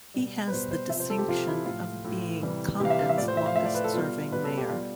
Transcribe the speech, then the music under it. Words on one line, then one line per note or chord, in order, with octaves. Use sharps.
He has the distinction of being Compton's longest serving mayor.
B2 G3
B4
B2 G3 C5
C5
C3 F3 E5
C5
A4
G4
C3 F3 F4
E4
A2 F3 F4
A2 F3
C3 E3 G3
C3 E3 G3 G4 F5
E5
F5
E5
A2 F3 D5
C5
E5
F5
A2 F3 E5
D5
B4
A4
B2 G3 F4
B2 G3 B4
A4
G4
B2 G3 F4